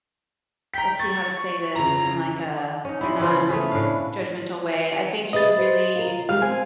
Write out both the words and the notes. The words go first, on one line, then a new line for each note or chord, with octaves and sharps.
let's see how to say this in, like, a a nonjudgmental way. I think she really,
G5 A#5 B6
C#6 A6
F2 C#3 A#5
C#4 D#4
G3 G#3 C#4 E4
C#3 F3 B3 F4
A3 C#4 G#4 B4
A2 D4 F5
G#4 B4 D#5 E5 A6
C5
F4 A#4
G3 G#3 F5 F6
C4 G#5